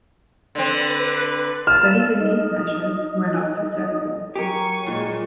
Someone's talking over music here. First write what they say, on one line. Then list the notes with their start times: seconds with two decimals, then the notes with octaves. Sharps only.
But even these measures were not successful.
0.55 D3 C4 B4
1.67 F5 A5 E6 F6
2.20 D#4 D#5
4.36 F#3 G4 A#4 G#5 C#6
4.86 A#2 G#3